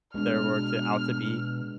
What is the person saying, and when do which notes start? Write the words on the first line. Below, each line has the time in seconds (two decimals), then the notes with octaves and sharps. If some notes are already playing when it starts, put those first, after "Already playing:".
they were to out to be
0.14 B2 G#3 D4 F6